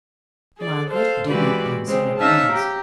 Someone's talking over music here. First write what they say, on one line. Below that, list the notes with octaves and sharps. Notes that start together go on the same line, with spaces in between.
Margaret did not answer at once.
G#4 D5
A4 C5 F5
E3 G#3 F#4 G4 B4 D5
C#3 G#3 C4 G#4
C#4 D#4 E5 F5 A5
G4 A#5